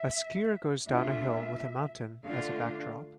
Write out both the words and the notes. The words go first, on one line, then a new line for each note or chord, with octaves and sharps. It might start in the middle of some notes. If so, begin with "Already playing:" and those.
A skier goes down a hill with a mountain as a backdrop.
Already playing: E5
B2 A3 D4 F4 E5
D3 A3 D4 F4 F5